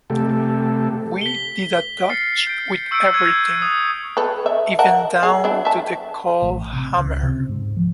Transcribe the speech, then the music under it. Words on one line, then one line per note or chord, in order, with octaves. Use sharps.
We did a dutch with everything—even down to the coalhammer.
C3 A3 G4 A4
B6 G7
F6 A6 C7 C#7
G6 D7
C#6 E6 G6 C#7 D7
F#6 G#6 C#7 D#7
D#6
A4 B4
E5
A#4 F#5 A5
G#4
F#3 D4 E4
E5 A5
A1
C3
C#2
C3
G#2
F3